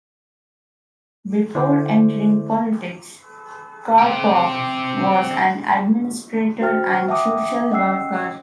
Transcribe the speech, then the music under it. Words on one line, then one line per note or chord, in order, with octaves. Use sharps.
Before entering politics, Karpoff was an administrator and social worker.
D3 E4 C5 D5
C4 G4
F#4 C5 G5 F6 A6
E5 F#5 G5 A5 D6 D#6
C#4 D#5 F#5 G5 E6 C7